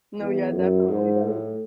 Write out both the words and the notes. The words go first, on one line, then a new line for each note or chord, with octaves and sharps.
No, yeah, definitely. That would
E2
F#2
G#2
A2